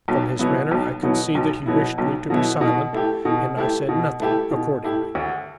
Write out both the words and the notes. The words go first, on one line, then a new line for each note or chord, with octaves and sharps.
From his manner I could see that he wished me to be silent, and I said nothing accordingly.
B1
B2 F#3 B3 E4
B1
B2 F#3 B3 E4
B1
B2 F#3 B3 E4
B1
B2 F#3 B3 E4
B2
A3 E4 G4
B2
A3 E4 G4
B2
A3 E4 G4
B2
A3 E4 G4
D2